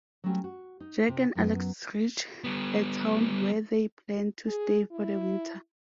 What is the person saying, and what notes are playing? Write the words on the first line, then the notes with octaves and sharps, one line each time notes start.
Jack and Alex reach a town where they plan to stay for the winter.
F#3 G3 A3 C4 C#4 F#4
F#4
D#4
C3
F#2 F#3 B3
G3 B3
G#4
E4